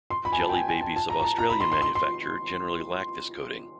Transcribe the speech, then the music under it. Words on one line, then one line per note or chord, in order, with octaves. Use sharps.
Jelly babies of Australian manufacture generally lack this coating.
C6
B5
G#5
A5
G5
G#5
G#5
A5
A5
A#5
A#5
A5
A#5
B5
C6
C6
C6
C6